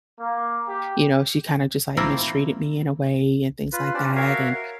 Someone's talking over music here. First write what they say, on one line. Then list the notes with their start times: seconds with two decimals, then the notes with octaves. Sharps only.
you know, "She kinda just, like, mistreated me in a way," and things like that, and
0.20 A#3
0.69 G4
1.97 A3 A#3 C4 E4 F4 A#4
3.72 F4 B4
3.94 C#4 D4 G4 C5 D5
4.16 F#4 A#4 C#5 E5 F5
4.55 A#4